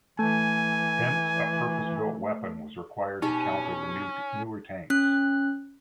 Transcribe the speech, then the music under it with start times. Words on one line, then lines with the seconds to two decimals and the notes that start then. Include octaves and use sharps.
Hence, a purpose-built weapon was required to counter the newer tanks.
0.19 E3 A3 G#5
3.22 B2 C#4 D#4 G4 A5 C#6
4.90 C#4 F#6